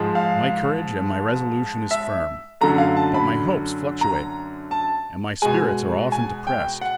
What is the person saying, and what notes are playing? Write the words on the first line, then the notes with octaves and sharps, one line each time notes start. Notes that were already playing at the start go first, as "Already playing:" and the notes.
My courage and my resolution is firm; but my hopes fluctuate, and my spirits are often depressed.
Already playing: G#2 F3 G#3
F5
E5
F#2 D3 F#3 A3 A#5
F5
A5
B5
A#5
A5
B2 G#3 G#5
G#5
G5
F#5